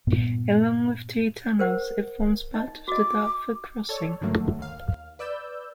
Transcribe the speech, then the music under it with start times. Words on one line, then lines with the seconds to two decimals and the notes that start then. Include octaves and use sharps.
Along with two tunnels, it forms part of the Dartford Crossing.
0.07 G2 A#2 B3
1.59 A#4 C5 F#5
2.54 D#4 D#5
2.88 F#4 D#5 D6
3.89 A4 C#5 D5
4.21 G#2 D3 D#3 F#3 A3 A#3
4.59 D#2 F5
5.19 B4 D5 E6 G6